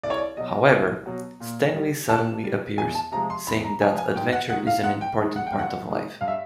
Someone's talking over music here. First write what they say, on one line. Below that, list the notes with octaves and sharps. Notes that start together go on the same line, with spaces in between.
However, Stanley suddenly appears, saying that adventure is an important part of life.
C2 D5
C#5
D5
B2 F#3 D#5
C2
B2 F#3
A#2
G3
A#2 A5
G3
E2 G#5
A5
C3 F3 G#3 A#5
C6
E2 B5
A#5
C3 F3 G#3 G#5
G#5
G#2 G5
F#5
D#3 G#3 F#5
F5
G#2 F#5
G5
D#3 G#3
F#5
G5
G2
F#5
D#3 G#3
G2 F5
E5